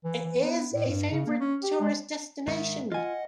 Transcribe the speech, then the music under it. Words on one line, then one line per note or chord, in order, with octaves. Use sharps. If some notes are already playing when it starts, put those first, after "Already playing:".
It is a favourite tourist destination.
E3
E3
B3
A2
G2
C#3
A#3
C#4
G4
G#3
G#2 D#3 E5
F4 D#5 F#5 G#5